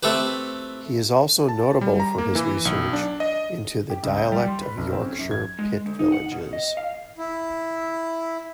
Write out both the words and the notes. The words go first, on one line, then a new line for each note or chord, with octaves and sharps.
He is also notable for his research into the dialect of Yorkshire pit villages.
A3 C4 G4 B4
A5
G3
A#5
A#3
E3
B1
D4
D#5
G4
C#2
G6
G3
C6
B4
B1
C4
C#4
F#2
G#6
G#3
D2
D#4
F#5
B2
D#5
F5
E4